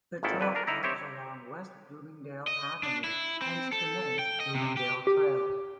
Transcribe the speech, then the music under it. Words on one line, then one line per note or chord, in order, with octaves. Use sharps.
The trail follows along West Bloomingdale avenue, hence the name "Bloomingdale Trail".
G#1 A#2 D#3 E4 A4
F2 D3 B4
D4 A#4
D#4 E4 A#5
C4 G4 C#5 E5
D#5
D4
E4
C4
A4
G5
D#5
C3
G4
G4